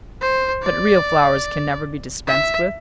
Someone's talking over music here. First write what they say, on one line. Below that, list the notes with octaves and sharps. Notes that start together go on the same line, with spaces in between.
But real flowers can never be dispensed with.
C5
D5
E5